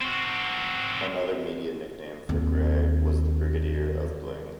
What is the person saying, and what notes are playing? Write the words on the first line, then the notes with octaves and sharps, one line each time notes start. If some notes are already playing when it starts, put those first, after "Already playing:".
Another media nickname for Gray was the "Brigadier of Bling".
C4 F#4
D#2 C4